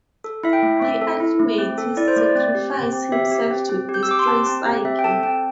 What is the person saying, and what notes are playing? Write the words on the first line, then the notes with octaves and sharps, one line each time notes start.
He ultimately sacrifices himself to destroy Saiki.
A4
E4 E5
G5
A3
C4 E5
A4
E4
A3
C4
A4
E4 D5
C5
A3 D5
C4
G4
C4
C4
G4 E5
G4
C4
C4
G4
G6
E6
G4 D6
C6
C4 A5
C4
G4
C4 E5
G5
A4 A5
C4 G5